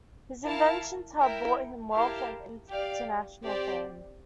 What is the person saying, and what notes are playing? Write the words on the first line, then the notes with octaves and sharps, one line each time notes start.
His inventions had brought him wealth and international fame.
E4 A#4 F5 A5
E4 A#4 E5 G5
E4 G4 A#4 F5 A5
G4 D5 F5
C4 G4 D5